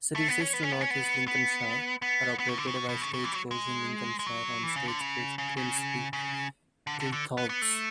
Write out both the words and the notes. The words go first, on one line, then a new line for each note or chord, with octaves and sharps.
Services to North East Lincolnshire are operated by Stagecoach in Lincolnshire and Stagecoach Grimsby-Cleethorpes.
A3
B3
C#4
B3
C#4
B3
C#4
B3
B3
B3
B3
C#3
D3
C#3
B2
B2
C#3
C#3
E3
F#3
G#3
G#3
F#3
E3
C#3
D3
C#3
C#3
C#3
C#3
D3
D3
D3
B3
B3
A3